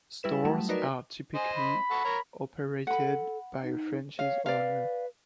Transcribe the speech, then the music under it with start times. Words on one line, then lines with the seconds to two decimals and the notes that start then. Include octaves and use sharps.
Stores are typically operated by a franchise owner.
0.23 G3 E4 B4 E7
0.45 F#3 G3 A3
0.69 D#4 F#4 A#4 B4 D5
1.35 C5 D#5 G#5
1.55 B5
1.91 A4 F#5 C#6
2.05 A#4 C#5 A#5
2.87 A4 F#5 B5
3.63 D#4
4.19 C#5 F5
4.46 B4 D5 F5